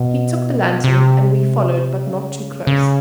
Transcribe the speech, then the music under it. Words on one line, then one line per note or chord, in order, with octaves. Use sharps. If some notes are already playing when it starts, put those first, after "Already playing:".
He took a lantern and we followed, but not too close.
Already playing: B2
C3
C#3
C#3